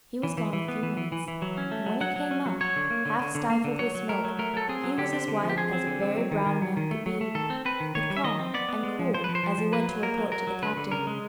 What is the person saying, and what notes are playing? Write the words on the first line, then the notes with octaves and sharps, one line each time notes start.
He was gone a few minutes, and when he came up, half stifled with smoke, he was as white as a very brown man could be, but calm and cool as he went to report to the captain.
E3
E3
E3
B3
E3
E3
E3
E3
F#3
C#4
A3
F#3
F#3 F#5
F#3
C#4
F#3
F#3 C#5
D3
A#3
D3
D3
D3
A#3
D3
F#3 C#5
F#3
A3 A#4
F#3
A3 A#4
F#3 A4
C4 G#4
F#3
D3 G4
C4
D3
F3
G4
C4 G#4
C4
D3
C4
F#3
D#3
D#3
F#3
D#3
A3
F#3
A3
D#3 A4
C4
C4 B4
D#3
D#3 C#5
G3
E5
D#3 D#5
C4
B3 D5
B3
G#3
F3
F3 C5
B4
F3
C5
F3
F3
A#3 B4
F#3
A#3 A#4
F#3
F#3 A#4
F#3
D3 B4
D3
C#3 A#4
G#3